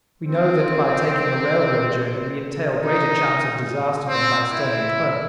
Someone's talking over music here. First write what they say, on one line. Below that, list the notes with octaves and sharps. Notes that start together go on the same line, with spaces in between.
We know that by taking a railroad journey we entail greater chance of disaster than by staying at home.
C4
D#4
C4
E4